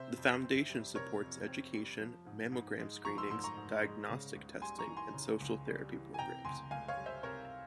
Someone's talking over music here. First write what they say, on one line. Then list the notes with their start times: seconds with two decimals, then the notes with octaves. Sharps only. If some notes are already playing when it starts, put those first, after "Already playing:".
The Foundation supports education, mammogram screenings, diagnostic testing and social therapy programs.
Already playing: C3 C5 E5
0.17 F2
0.43 C4
0.70 G3
0.96 C3 A#4 C#5
1.22 F2
1.48 C4
1.74 G3
2.00 F3
2.26 G#2
2.52 G#2
2.79 G#3
3.05 F3 A#5 C#6
3.18 C6 E6
3.31 G#2 C6 E6
3.44 A#5 C#6
3.57 G#2
3.83 G#3
4.10 C#3
4.36 C#2
4.62 G3 G#5 C6
4.79 A#5 C#6
4.88 E3
4.97 G#5 C6
5.14 C#3
5.40 C#2
5.66 G3
5.93 E3
6.14 G#5
6.18 C3 G5 A#5
6.45 C#2 G#5 C6
6.71 C#2 F5 G#5
6.88 C#5 F5
6.97 G3
7.06 C5 E5
7.23 C3 A#4 C#5